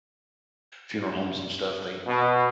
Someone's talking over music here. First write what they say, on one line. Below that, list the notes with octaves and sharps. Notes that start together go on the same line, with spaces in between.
funeral homes and stuff, they
B2